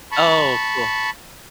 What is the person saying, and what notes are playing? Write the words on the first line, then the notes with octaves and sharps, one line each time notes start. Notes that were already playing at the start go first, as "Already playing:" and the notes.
Oh, cool.
A5 B5 C#6